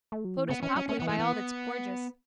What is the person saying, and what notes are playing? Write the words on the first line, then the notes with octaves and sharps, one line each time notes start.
Photo's papli, by all that's gorgeous.
A3
F#3
E3
C#3 B3
E3 C#4
F#3 C#4
A3 C#4
E3 B3
A3
B3